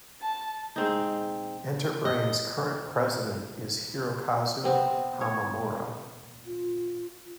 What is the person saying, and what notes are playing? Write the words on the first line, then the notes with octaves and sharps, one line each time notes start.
Enterbrain's current president is Hirokazu Hamamura.
A5
G#3 C4 D#4
D#5
B3 C4
C#5
F4